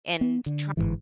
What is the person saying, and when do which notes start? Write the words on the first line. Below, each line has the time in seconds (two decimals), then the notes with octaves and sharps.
and trying
0.21 B3
0.46 D3
0.77 G1 C#2 G#2 E3